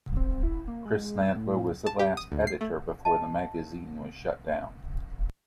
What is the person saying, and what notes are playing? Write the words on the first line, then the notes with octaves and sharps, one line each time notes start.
Chris Nadler was the last editor before the magazine was shut down.
C4
E4
A#3
G#3
E6
A2
A5
G4
D#6
D2
C7
A3
D#5 A5